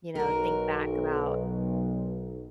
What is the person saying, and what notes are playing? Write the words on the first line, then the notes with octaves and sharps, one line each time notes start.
you know, think back about
B1 F#4 A#4